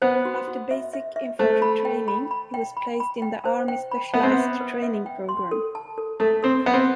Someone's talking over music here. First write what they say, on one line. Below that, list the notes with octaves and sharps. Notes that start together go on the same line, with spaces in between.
After basic infantry training, he was placed in the Army Specialized Training Program.
B3 C5
F#4
F#4
E5
E5
E5
A3 C5
B5
G5
B5
B5
G5
B5
B5
G5
C5
G5
B5
B3 E5
C4
B3
E5
B4
E5
G5
C6
A4
A5
A4
A3 A4
C4 A4
B3 E5
C4